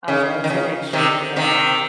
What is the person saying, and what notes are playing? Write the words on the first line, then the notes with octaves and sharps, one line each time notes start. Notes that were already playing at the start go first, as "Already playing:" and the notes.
I love to make sure that
C#3
D#3
C#3
C3 D#3
C3 D#3